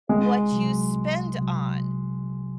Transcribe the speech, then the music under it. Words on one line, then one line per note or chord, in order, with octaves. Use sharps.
what you spend on,
C2 G#3
C3 F#3
C2
C3 F#3